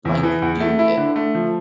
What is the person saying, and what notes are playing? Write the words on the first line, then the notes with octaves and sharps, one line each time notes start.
Like Do It!
E2
E3
E2
A3
E4
D3
A3
F3